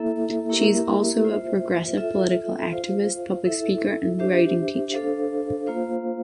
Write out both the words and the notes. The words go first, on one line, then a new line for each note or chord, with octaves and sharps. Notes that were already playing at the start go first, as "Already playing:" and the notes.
She is also a progressive political activist, public speaker, and writing teacher.
Already playing: A#3 E4 A4 E5
A#3 E4 G4 A#4 E5
F4 C5 E5
F4 A4 E5
F4 C5 F5
E4 A4 E5
D4 G4 C5 E5
D4 A4 C5 F5
A#3 F4 C5 F5